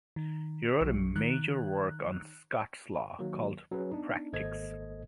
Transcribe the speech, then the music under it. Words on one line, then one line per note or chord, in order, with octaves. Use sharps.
He wrote a major work on Scots law, called "Practicks".
D#3
B1 F#3
D#3 F#6
D#3 F#3 A#3
F#3 C#4 G#4 B4
B3 D4 D#4
G#1 A#3 A4 C5 D#5 G#6